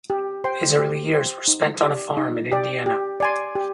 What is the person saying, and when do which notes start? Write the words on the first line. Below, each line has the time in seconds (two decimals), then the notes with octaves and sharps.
His early years were spent on a farm in Indiana.
0.10 G4
0.44 C5 G5 C6
0.79 G4
1.14 C5 G5 C6
1.48 D#4
1.82 G4 D5
2.17 D#4
2.52 G4 D5
2.86 G4
3.20 D5 G#5 C6
3.55 G4